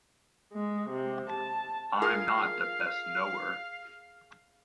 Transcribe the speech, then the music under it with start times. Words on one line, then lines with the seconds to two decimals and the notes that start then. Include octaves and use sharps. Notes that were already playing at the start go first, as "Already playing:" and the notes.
I'm not the best knower.
0.53 G#3
0.89 C3
1.29 A5
2.02 F4 G#4 A#4 F5